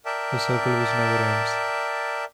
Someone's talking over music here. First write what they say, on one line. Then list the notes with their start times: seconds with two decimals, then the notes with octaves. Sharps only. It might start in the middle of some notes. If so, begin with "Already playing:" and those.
The circle which never ends.
0.05 A#4 D5 E5 G5 A5